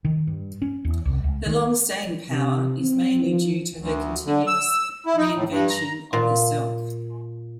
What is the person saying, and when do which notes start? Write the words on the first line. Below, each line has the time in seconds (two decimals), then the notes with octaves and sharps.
Her long staying power is mainly due to her continuous re-invention of herself.
0.05 D#3
0.27 G2
0.62 C#4
0.85 E2
1.05 C2
1.24 C#2
1.46 D#3
2.29 C3
2.79 C4
3.24 F3
3.79 D2
4.26 D3
4.47 E6
5.06 E4
5.17 D#4
5.35 A2
5.49 G2
5.70 A#5
6.13 A#2